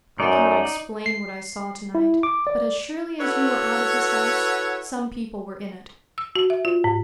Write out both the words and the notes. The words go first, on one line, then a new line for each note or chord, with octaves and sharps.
I cannot explain what I saw to-night, but as surely as you were out of this house, some people were in it.
F#2 D#4 D5
C7
E4
D6
D5
E4 F#4 A4 B4 C#5
E6
F#4
E5
F4
G#2